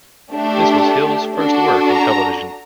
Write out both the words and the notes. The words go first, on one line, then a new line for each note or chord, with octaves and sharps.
This was Hill's first work in television.
A3 D4 G4
D4 F#4 A4
A#5